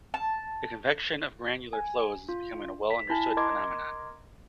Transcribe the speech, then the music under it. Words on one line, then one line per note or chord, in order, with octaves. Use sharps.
The convection of granular flows is becoming a well-understood phenomenon.
A5
G#5
F4
B6
E4 G#5 A5
A#4 D#5 A#5 C6 D6 G#6